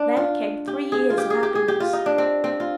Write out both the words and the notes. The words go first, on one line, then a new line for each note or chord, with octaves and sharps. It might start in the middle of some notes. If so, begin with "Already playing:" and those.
Then came three years of happiness.
Already playing: D4
F4
G4
G#4
F4
G4
G#4
G4
G#4
G4
F4
D#4
D4
C4
C4
F4